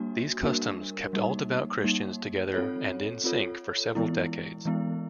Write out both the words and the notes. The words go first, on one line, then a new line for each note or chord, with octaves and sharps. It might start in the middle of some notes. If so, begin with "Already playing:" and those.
These customs kept all devout Christians together and in sync for several decades.
Already playing: G3 A#3 D4 F#4
G3 A#3 D4 F#4 A#4
G3 A#3 D#4
G3 A#3 D#4
C4 F4 A4 C#5
C4 F4 A4 C#5
E3 G#3 B3 E4
E3 G#3 B3 E4